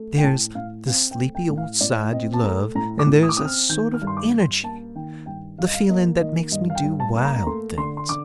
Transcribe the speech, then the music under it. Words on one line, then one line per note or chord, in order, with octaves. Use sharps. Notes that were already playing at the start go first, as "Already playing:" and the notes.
There's the sleepy old side you love an' there's a sort of energy--the feeling that makes me do wild things.
Already playing: A3
G5
A2 A5
A2 F5
C4 F5
G5
A3
G5
A2
F5
A2 D5
C4 D#5
A5
A3 A#5
A2 A#5
D6
A2
D#6
D6
C4 D#6
F6
D#3 G6
F6
G2
C6
D6
G2
C6
A#3 A5
D#3 G5
G2 G5
G2 F5
D#5
F5
A#3 D#5
D#3 D#5
G2 D#5
F5
G5
G2
A5
A#3
A#5
A#5
A3 C6
D3 C6
C6
D3 D6